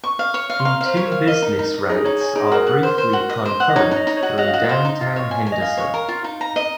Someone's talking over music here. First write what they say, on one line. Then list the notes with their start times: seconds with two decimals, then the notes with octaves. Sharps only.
The two business routes are briefly concurrent through downtown Henderson.
0.04 C#6
0.19 F5
0.34 C#5 C#6
0.50 F5
0.60 C6
0.65 F5 A#5
0.81 F5
0.86 C5
0.97 C#5
1.07 A#4 F5
1.27 A#4 D#5
1.42 D#4
1.59 D#4
1.74 D#5
1.89 D#4 G#4
2.05 D#4 C#5
2.21 C#5 G#5
2.35 D#4 G#4
2.52 F#4 A#4
2.67 F#5
2.83 C5
2.98 C5
3.13 F#4
3.29 D#5
3.45 C5
3.60 F#5
3.69 D#5
3.76 D#4 C#5
3.91 D#4 D#5
4.07 D#4
4.17 C#5
4.23 F#4
4.38 F#4 D#5
4.48 F5
4.54 F#4 D#5
4.69 C5
4.85 D#4
5.01 F4
5.16 C#5
5.31 G#5
5.46 G#5
5.52 D#5
5.62 F5 G#5
5.77 C#5
5.94 A#4
6.08 F4
6.24 D#4
6.41 A#5
6.56 D#5